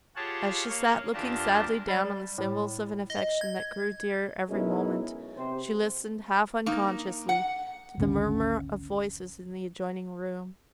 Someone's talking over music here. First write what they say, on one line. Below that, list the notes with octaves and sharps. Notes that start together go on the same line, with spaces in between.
As she sat looking sadly down on the symbols of an affection that grew dearer every moment, she listened half unconsciously to the murmur of voices in the adjoining room.
F4 G4 G#4 C#5 F#5 A5
A#3 C#5
E2 D4 F4 G4 A#4 A5
G3
A2
D#5
G#6
F#2 B2 G#3 C#4 D#4 E4
C3 C5
A#3 D#4
F#5
G#1 D2 B2 C#4